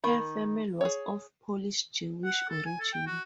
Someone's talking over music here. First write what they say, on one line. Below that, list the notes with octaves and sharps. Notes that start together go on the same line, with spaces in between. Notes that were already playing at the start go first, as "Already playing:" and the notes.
Her family was of Polish Jewish origin.
D#3 B5
G#4 C#5
F#5
A4
G#5
A4
G5
F#4